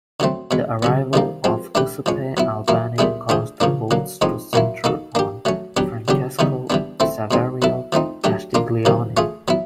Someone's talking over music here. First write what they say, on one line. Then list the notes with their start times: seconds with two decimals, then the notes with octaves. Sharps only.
The arrival of Giuseppe Albani caused the votes to center on Francesco Saverio Castiglioni.
0.20 D3 F#3 A3 C4
0.51 B2 G#3 B3
0.83 C#3 F#3 B3
1.13 C3 D#3 G3 A#3
1.44 F3 G#3 C4
1.75 A3 D4 G4 B4
2.06 F3 G#3 C#4
2.37 F#3 B3 E4
2.68 A2 F#3 A#3 C#4 E4
2.98 A#2 G3 B3 E4 G#4
3.29 A3 D4 F4 G#4 C5
3.60 C#3 F3 A#3 D4
3.91 D3 F#3 A#3
4.21 A2 F3 G#3 C4 D#4
4.53 A#2 F#3 A#3 C#4 E4
4.84 A#3 D#4 F#4 A4
5.15 A#3 D4 G4
5.45 F#3 A3 C#4
5.77 F#3 B3 D4 G4
6.08 C#3 F#3 B3 D4 G4
6.39 C#3 E3 G3 B3 D#4
6.70 E3 G3 B3 D4
7.00 A3 C4 E4 A4
7.31 B2 G#3 C4 D#4
7.62 F#3 B3 E4 A4
7.92 F3 A3 C4 D#4
8.24 F#3 A3 D4 G4
8.54 A#3 D4 F4
8.85 C3 D#3 F#3 A#3
9.17 A3 C#4 F4 G#4
9.48 F#3 B3 E4